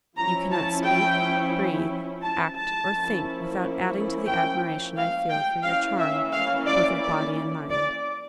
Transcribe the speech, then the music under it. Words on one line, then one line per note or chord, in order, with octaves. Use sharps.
You cannot speak, breathe, act, or think, without adding to the admiration I feel for your charm both of body and mind.
F3 C#4 E4 A#5
A5
G5
A5
A5
F3 A#3 C#4 E4
G5
F5
G5
E3 A#3 C#4 E4 F5
E5
F5
D5
D5
D5